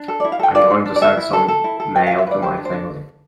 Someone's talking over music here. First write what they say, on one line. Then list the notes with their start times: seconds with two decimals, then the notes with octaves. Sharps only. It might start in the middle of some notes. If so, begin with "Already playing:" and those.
I am going to send some mail to my family.
Already playing: D4
0.08 A4
0.20 D5
0.24 E4
0.32 F5
0.39 A4 G5
0.55 F4 D5
0.70 D4
0.86 D4
0.96 D5
1.02 A4 E5
1.17 E4
1.33 A4
1.48 A4
1.64 E4
1.80 A4
1.95 B4 G5
2.07 F5
2.11 F4
2.18 E5
2.27 B4 D5
2.42 G4 C5
2.57 D4
2.65 C5
2.73 D4